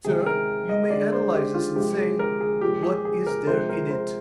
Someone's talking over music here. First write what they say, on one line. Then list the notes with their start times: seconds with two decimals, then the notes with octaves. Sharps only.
Sir, you may analyse this, and say what is there in it?
0.05 C3 D#3 G#3 G#4
0.26 A#4
0.69 D#5
0.90 D3 G#3 D5
1.12 C5
1.33 G4
1.54 F4
1.76 C3 F3 G#3 G4
1.97 G#4
2.19 A#4
2.41 G#4
2.61 A#2 F3 G#3 G4
2.83 G#4
3.05 G#4
3.27 A#4
3.47 C3 F3 G#3 C5
3.69 A#4
3.90 C5